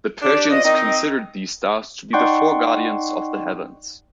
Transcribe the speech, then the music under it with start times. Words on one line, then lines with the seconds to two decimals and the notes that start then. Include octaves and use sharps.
The Persians considered these stars to be the four guardians of the heavens.
0.22 D4 G4 D5
0.50 F3 D5 D#5
0.64 D#3 C4 D#4 D#5
2.13 D#4 D5 F#5 G5 C6 C#6